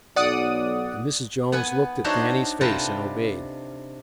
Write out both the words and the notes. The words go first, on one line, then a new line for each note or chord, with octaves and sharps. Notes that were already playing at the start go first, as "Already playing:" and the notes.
And Mrs. Jones looked at Fannie's face and obeyed.
B1 D5 F#5 D#6
B3 B4 F#5 G#5
D4 D#4 F#4 C5 C#5 E5
C3 F4 A4 B4 G5 A#5